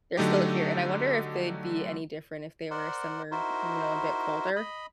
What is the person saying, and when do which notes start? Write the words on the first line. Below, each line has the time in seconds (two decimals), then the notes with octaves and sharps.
they're still here, and I wonder if they'd be any different if they were somewhere, you know, a bit colder,
0.17 D3 F#3 A3 D#4 G4
2.71 A#4 C5 D5 F#5
3.31 D#4 E4 F#4 A#4 C5
4.56 D#5 B5